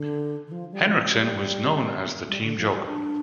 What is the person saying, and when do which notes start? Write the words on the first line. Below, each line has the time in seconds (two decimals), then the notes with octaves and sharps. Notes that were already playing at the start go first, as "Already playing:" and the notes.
Henriksen was known as the team joker.
Already playing: D3
0.47 D3
0.52 F3
0.72 G3
0.86 D3
0.91 F3
1.10 G3
2.28 G3
2.43 D3
2.58 F3
2.72 G3
2.86 D4